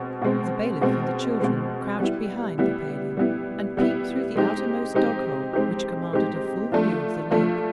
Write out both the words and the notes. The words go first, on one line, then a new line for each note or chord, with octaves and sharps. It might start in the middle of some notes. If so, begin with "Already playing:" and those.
The bailiff and the children crouched behind the paling, and peeped through the outermost dog-hole, which commanded a full view of the lake.
Already playing: B2 G#3 C4
B2 G#3 C4
B2 G#3 C4
B2 G#3 C4
G3 B3 E4
G3 B3 E4
G3 B3 E4
G3 B3 E4
G#3 C4 D#4 G4
G#3 C4 D#4 G4
G#3 C4 D#4 G4
G#3 C4 D#4 G4
F3 A3 D4 F4
F3 A3 D4 F4